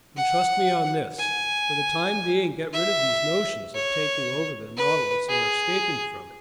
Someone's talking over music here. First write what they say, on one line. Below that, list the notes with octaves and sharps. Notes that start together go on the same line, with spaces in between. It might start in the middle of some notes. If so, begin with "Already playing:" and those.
And trust me on this: for the time being, get rid of these notions of taking over the Nautilus or escaping from it.
F#5
G#5
E5
C#5
B4
G#4